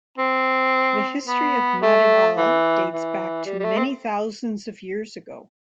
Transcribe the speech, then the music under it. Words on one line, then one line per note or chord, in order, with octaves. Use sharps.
The history of Madiwala dates back to many thousands of years ago.
C4
B3
A3
E3
E3
G3
G3
A3
C4